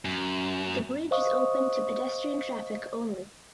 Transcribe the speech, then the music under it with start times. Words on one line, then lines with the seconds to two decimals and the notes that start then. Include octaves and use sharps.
The bridge is open to pedestrian traffic only.
0.05 F#2
1.11 C5 D#5 F5 C#6 D#6